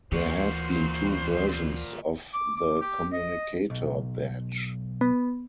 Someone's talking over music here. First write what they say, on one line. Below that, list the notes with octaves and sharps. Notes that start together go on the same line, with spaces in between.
There have been two versions of the communicator badge.
D2 A#2 E3 F#4 C5
D6
D6
G4
D#5
B1
B3